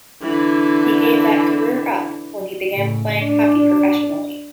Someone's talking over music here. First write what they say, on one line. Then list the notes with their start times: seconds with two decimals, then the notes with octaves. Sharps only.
He gave that career up when he began playing hockey professionally.
0.22 D3 E3
2.73 A2 C#3
3.20 D4